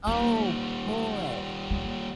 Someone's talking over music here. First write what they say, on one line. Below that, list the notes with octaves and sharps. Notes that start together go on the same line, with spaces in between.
Oh, boy.
D#3 G3 A#3
A#3